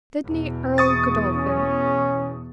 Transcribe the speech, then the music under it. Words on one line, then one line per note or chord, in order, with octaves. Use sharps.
"Sidney Earl Godolphin."
E2 B2
C#6 D#6 A6
C#4